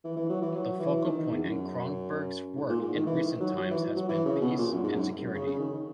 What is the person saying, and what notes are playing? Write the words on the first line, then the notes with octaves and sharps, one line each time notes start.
The focal point in Cronberg's work in recent times has been peace and security.
E3
E3
F#3
E3
F#3
E3
D#3
D#3
E2
F#2
G#2
A#2
G#2
D#3
E3
D#3
F#3
F#3
E3
F#3
E3
C#3
B2
A#2
F#2
G#2
F#2
F#2
C#3
C#3
D#3